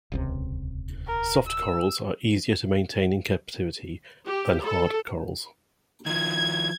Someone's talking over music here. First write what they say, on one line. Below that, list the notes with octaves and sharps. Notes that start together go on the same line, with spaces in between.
Soft corals are easier to maintain in captivity than hard corals.
D#1 C#2 C3
A#4
E6
G4
A4
D#3 F3 G#6